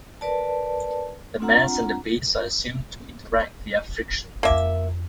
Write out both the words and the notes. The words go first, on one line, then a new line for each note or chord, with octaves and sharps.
The mass and the base are assumed to interact via friction.
A#4 B4 D5 A5
C4 D4 F4 F#5 A#5
F2 A#3 E5 D6